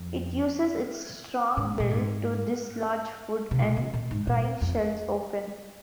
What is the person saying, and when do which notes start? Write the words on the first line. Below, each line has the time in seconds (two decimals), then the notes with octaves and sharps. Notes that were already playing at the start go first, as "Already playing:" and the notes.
It uses its strong bill to dislodge food and pry shells open.
Already playing: F2
1.57 G#2
1.80 A#2
1.91 G#2
3.51 C3
3.60 A#2
3.76 C3
3.94 A#2
4.11 G#2
4.27 A#2
4.62 F2